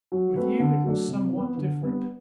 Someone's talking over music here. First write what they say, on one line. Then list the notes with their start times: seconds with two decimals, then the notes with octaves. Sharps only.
With you it was somewhat different.
0.12 F#3
0.36 A3 C4 F#4 B4
0.60 D3
0.84 F#3 A3 D4
1.08 C3
1.33 E3 B3
1.57 D3
1.81 G3 B3 D4